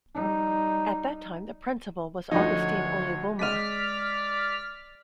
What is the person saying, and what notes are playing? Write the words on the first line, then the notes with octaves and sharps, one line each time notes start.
At that time the principal was Augustine Olibuma.
G3 D#4
D2 D3 F3 D#4 C#5
G#3 D5 F6 B6 D#7